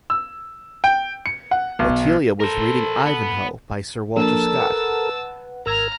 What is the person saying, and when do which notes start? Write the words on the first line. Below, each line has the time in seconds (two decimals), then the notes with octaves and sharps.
Otelia was reading "Ivanhoe" by Sir Walter Scott.
0.10 E6
0.84 G5
1.26 C#7
1.51 F#5
1.79 B1
2.40 A4 A#4 C5
3.05 B3
4.16 F3 A#3 D4 A4 A#4 A5 E6
4.60 B4 F#5
5.66 G#1 A#4 A#5 E6 F6 G#6